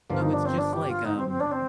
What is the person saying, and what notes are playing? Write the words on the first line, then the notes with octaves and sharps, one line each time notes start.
So it's just, like, um
G1 G2 F3 A#3 F4
D#4
D4
C4
D4
G4
F4
D#4
C4
C4
D4
C4